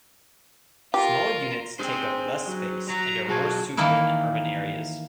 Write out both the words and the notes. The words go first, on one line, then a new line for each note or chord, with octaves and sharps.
Small units take up less space, and are more suitable in urban areas.
F4 G4 A#4
C4 D4 G#4 C5
F#3
F#3 A#5
B2 F#3 F4 F#4 G#4 A5 G#6
D#3 E3 A#3 D#4 E4